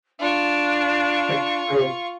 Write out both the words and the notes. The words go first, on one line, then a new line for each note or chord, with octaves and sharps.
Like, so
D4 F4 C#6